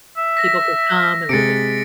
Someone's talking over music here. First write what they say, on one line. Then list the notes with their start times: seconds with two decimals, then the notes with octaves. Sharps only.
people could come, and we could
0.17 E5
0.37 A#6 B6
1.29 C3 G#3 A6 C#7 D7